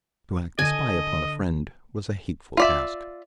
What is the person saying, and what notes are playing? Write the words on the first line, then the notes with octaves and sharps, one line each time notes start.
To act the spy upon a friend was a hateful task.
D3 A4 D#5 G#5
F4 D5 E5